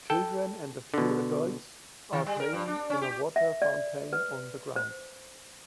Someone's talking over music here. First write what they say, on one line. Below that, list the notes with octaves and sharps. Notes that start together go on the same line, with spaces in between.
Children and a few adults are playing in a water fountain on the ground.
A4 G5
B2 D3
D#3
G3
A#4
G2
D4
C#4
G4
E5
D5
B4
C5